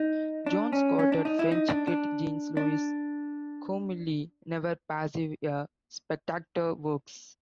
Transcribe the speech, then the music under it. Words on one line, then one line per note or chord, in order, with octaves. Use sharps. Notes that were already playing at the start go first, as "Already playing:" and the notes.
Jones quoted French critic Jean-Louis Comolli: "Never passive, a spectator works".
Already playing: D#4
D4
C#4
C#4
D4
D#4
E4
D#4
D4
D4
D4